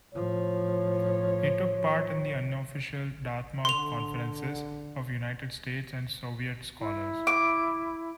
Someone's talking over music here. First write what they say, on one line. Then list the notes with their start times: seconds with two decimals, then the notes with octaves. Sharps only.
He took part in the unofficial Dartmouth Conferences of United States and Soviet scholars.
0.14 A2 F3 C#5
3.65 D3 C6 F7
6.80 E4
7.27 D6